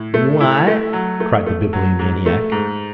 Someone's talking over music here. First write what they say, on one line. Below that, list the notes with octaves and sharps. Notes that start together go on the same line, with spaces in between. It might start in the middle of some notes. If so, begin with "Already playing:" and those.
"What?" cried the Bibliomaniac.
Already playing: A2
A3
E4
A3
F#3
A3
A3
F#3
G#2
A3
G#2